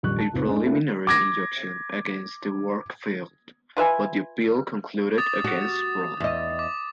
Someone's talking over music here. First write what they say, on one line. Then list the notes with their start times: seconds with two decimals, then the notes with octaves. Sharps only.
A preliminary injunction against the work failed, but the appeal concluded against Braun.
0.03 D#1 A#1 F2 G3 C#6 F#6
0.18 A5
0.33 C#2 A#2 C4 D#4 B4
0.48 G#2 G#3 C#4 D4 E4
0.63 A3 A#3 C4 D4 E4 F#4
1.07 D6 G#6 A#6
3.77 F4 B4 E5 G#5
5.18 D6 D#6 A6
5.44 F#4
6.20 E2 D#5
6.59 D6